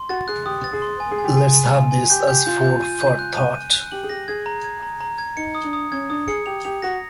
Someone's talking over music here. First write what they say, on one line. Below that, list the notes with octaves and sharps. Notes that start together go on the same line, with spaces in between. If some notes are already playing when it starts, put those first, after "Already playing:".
Let's have this as food for thought.
Already playing: C6
F#4 A6
G#4 F#6
G4 D#6
A6
G#4
C6
G#5
G#4
G#5
G4
G#4 G#5
G#5
G#5
G#5
G4 G6
G4 G6
F4 G6
G6
D#7
G6
F#6
D#7
D#7
F#6
G4 F#7
G#4
G4 A#6
G#4 G#6
A#5
G#6
A#5
A#5
G#6
D#4 C#7
D#6
D4
D#6
C#4 G#6
D4 D#6
G#4 C#7
G4 F7
G4 F7
F#4 A#6